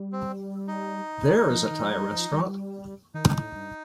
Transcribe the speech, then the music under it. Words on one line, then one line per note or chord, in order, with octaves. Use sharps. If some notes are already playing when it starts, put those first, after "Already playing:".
There is a Thai restaurant.
Already playing: G3
C4
D#4
F3
D#3
F3
G3
F3
G3
F3
G3
D#3 D#4
A2
G2